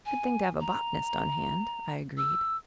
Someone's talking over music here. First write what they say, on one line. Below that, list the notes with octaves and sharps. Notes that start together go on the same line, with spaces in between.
"Good thing to have a botanist on hand," I agreed.
G#5
A#5
E6